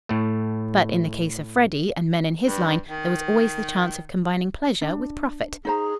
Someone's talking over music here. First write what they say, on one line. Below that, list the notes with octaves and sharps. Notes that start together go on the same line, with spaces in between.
But in the case of Freddy, and men in his line, there was always the chance of combining pleasure with profit.
A2 A3
G2
D#3
D4
D#4 G#4 C5 A#5